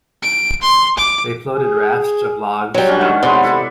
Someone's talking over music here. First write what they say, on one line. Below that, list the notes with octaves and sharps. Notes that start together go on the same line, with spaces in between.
They floated rafts of logs down the Hudson.
D7
C6
D6
G#4
F#3 G3
C#4 D4 F#5
D#3
C3 G#3 B3 D5
E4 A4 B5